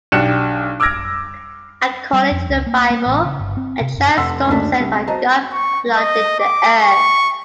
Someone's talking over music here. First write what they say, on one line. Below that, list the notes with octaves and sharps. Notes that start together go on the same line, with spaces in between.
According to the Bible, a giant storm sent by God flooded the Earth.
B1 D4 G4 F#6 C#7 E7
D6 E6 F6 G#6 A#6 D7
G3
F2
C#2
A#3
A#3
A1
C#3
G1
C4
C3
F#2
F1 F#5 C6 E6 B6
F#1 D2 A3 D4 A5 B6
C2
F#4 C5 D#5 A5 A#5
C#6
D#5
D6
C#6